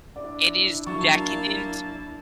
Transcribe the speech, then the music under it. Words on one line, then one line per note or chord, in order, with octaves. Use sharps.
it is decadent
D4 E4 D5
F#3 A#3 A5 C#6